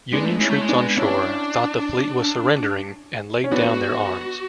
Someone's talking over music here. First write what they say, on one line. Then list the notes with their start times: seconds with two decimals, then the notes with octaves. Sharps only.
Union troops on shore thought the fleet was surrendering, and laid down their arms.
0.13 G#3 B3 D4
0.25 A3
0.36 G#3 C#4 E4
0.49 A3
0.61 G#3
0.69 B3 D4
0.97 C#4 D4 E4
3.44 C#4
3.52 B3 D4 F#4